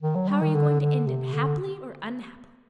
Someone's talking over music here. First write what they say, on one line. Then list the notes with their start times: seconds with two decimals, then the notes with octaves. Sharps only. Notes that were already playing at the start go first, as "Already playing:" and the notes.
"How are you going to end it--happily or unhappily?"
0.02 D#3
0.15 F#3
0.28 G3
0.41 D#3
0.55 D3
0.80 D3
1.07 C3
1.33 D3